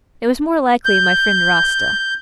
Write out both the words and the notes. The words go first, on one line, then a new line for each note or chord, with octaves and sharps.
It was more likely my friend Rasta.
G6